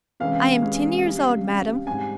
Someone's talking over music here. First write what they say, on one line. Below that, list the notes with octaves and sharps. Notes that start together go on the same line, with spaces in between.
"I am ten years old, madame."
C3 E3 G#3 C#4 F5
C3 E3 G#3 C#4
C3 G3 C#4
C3 G3 C#4
G#2 G3 C4 G#5